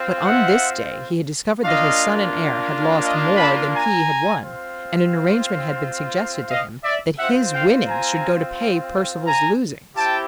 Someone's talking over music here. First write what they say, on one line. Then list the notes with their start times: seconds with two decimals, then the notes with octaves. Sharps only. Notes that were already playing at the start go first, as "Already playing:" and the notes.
But on this day he had discovered that his son and heir had lost more than he had won, and an arrangement had been suggested to him that his winnings should go to pay Percival's losings.
Already playing: C4 F4
0.25 E5 F#5
1.64 A#3 D4 F4 D#5 F5
3.03 D#5 F5
3.37 A5 B5
3.72 G#5 A#5
4.42 C4 F4
6.49 D#5 F5
6.84 D5 E5
7.18 C4 F4 E5 F#5
7.53 F5 G5
7.88 G#5 A#5
9.27 G#5 A#5
9.95 C4 E4 G4 G5 A5